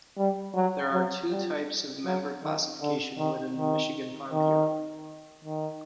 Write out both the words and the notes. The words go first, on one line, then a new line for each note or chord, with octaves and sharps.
There are two types of member classification within the Michigan Farm Bureau.
G3
F#3
F#3
G3
F#3
D#3
D3
D#3
D#3
D#3
D#3